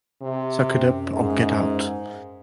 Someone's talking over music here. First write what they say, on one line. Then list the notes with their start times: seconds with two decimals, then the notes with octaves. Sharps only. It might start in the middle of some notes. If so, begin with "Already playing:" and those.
Suck it up, or get out.
0.21 C3
0.70 F#2
1.12 G#2